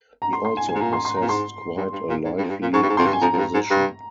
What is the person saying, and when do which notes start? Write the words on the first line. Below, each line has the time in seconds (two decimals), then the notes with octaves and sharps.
He also possessed quite a lively disposition.
0.22 A#5
0.33 C6
0.45 C6
0.57 G#5
0.69 G#5
0.75 G#2
0.81 A#2 A#5
0.93 C6
1.05 C6
1.17 A#5
1.21 A#2
1.28 G#2 C6
1.77 G2
1.93 G2
2.09 A#2
2.25 G#2
2.38 G2
2.44 F2
2.49 G2
2.62 A#2
2.73 G#2 C#6
2.82 G2
2.89 G#2
2.97 F2 C6
3.06 G2
3.13 G#5
3.22 F2 A#5
3.33 F2
3.38 G2
3.54 G#2
3.70 G2